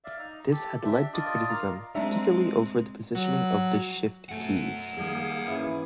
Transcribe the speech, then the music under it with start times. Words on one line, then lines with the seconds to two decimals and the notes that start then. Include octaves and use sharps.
This has led to criticism, particularly over the positioning of the "Shift" keys.
0.04 D5 E5 F5
0.19 D#4 A#5
0.51 G4 A4
0.84 D4 G4 E5
1.13 D4 F4 D5 D#5
1.49 A#4 F5 A#5
1.95 G#3 C4 D4 E5 A#5
3.15 F#3
4.29 B2 A3 C4 F#5 G#5
4.97 D#3 G3 G#3 A#3 G#4
5.46 G#2 E3 C#4